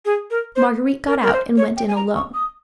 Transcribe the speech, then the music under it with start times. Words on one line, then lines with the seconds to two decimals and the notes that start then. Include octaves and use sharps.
Marguerite got out and went in alone.
0.05 G#4
0.31 A#4
0.56 C5
1.07 A#4
1.22 A#4
1.33 C5
1.57 C#5
1.77 G5
1.88 G#5
1.96 A#5
2.15 C#6
2.34 D#6